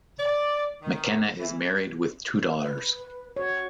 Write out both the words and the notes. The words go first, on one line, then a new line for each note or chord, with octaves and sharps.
McKenna is married with two daughters.
D5
D#3
E3
B4
F#4 C#5